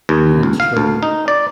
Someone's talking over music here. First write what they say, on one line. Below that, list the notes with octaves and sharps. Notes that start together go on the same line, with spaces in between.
Yeah, it's true.
D#2
C#2
F5
D2
D#4
D5